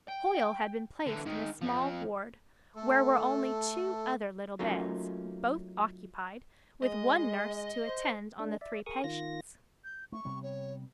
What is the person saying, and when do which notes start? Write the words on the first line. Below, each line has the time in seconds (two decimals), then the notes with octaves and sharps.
Hoyle had been placed in a small ward where were only two other little beds, both occupied, with one nurse to attend on the three patients.
0.09 G5
1.07 D3 E3
1.26 G#2 D#3
1.61 F2 F3
2.76 A3 A4
4.59 F#3 A3 A#3 C#4 D#4 F4
6.82 G#3 D#5
7.87 C5
8.40 A3 D4
8.61 D5 E5
8.86 G#4 A#4 C#6 D#6
9.04 D#3 F4 A#6
9.84 G6
10.12 A3 C#6
10.25 C3 G3 B3
10.43 C#5